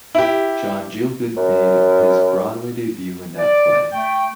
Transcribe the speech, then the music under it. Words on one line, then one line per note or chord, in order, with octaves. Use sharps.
John Gielgud made his Broadway debut in that play.
E4 G4
F#2
D5
A3 G5